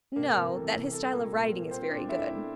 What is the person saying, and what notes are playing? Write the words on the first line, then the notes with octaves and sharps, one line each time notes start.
"No; that his style of writing is very good."
C3 A#3 A#4
C3 A#3 A#4
E3 A4
C3
G3 A4
A#2 A#3 A#4
A#2
A#3
A#2 C4 C5
A#2 D4 D5
A3 E4 E5
A3